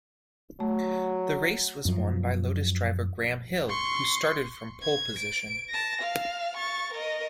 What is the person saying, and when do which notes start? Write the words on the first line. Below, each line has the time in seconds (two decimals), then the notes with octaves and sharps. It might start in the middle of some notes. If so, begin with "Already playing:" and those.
The race was won by Lotus driver Graham Hill, who started from pole position.
0.60 F#3 A3
1.85 F#2 F3
3.69 C6 C#6
4.82 G#6
5.19 D7
5.69 A5 A#6
6.01 F5
6.57 C#6 A6
6.93 A#4 D#5